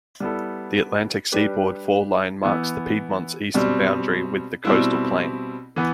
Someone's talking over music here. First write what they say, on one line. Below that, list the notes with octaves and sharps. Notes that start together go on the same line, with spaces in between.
The Atlantic Seaboard fall line marks the Piedmont's eastern boundary with the Coastal Plain.
G3 B3 E4 A4
G3 D4 G4 B4
E3 B3 E4
B2 G3 C4
B2 G3 C4 E4
E3 B3